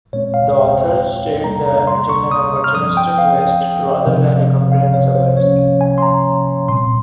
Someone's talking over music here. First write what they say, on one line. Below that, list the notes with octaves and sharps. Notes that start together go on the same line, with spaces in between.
The authors state that, It is an opportunistic list, rather than a comprehensive list.
A#2 G#3 C4 C#5
F5
G5
C3 G3 A#3 A#5
A#5
C6
C#6
D#6
F6
F3 C4 D#6
G5
F5
C3 F3 C4
F5
C#5
C5
C3 F3 A#3 C#4 C#5
F5
G#5
C6
A#5
A#2 G3 C4 C6